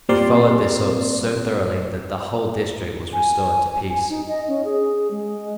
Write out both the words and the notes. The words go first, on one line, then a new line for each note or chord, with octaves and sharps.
He followed this up so thoroughly, that the whole district was restored to peace.
A#2 G3 C4 A#4 D5 C6
G#5
G#5
D#4
D#5
C#4
G#4
G#3